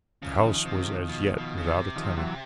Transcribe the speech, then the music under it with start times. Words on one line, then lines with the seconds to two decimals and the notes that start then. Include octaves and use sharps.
The house was as yet without a tenant.
0.22 C#3 F3
0.32 E3
0.42 D#3 F3
0.65 C3
1.09 B2
1.38 B2
1.58 C#3
1.67 C3
1.95 D#3 F3
2.17 E3 F#3